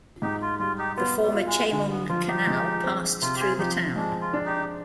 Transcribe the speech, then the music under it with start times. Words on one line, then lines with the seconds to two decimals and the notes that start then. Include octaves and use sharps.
The former Chemung Canal passed through the town.
0.22 G#2 D#4 G4
0.42 F4
0.59 G3 F4
0.78 D#4 G4
0.97 B3 F4
1.22 G3
1.35 F4
1.46 G#3
1.71 D3 G#3
1.90 B3
2.09 F3 F4
2.28 D#4 G4
2.47 G#3
2.84 C4
3.22 C3 F4
3.36 G4
3.40 F4 G#4
3.58 F3 D#4 G4
3.96 G#3 D4
4.21 F4
4.33 D4
4.45 D#4 G4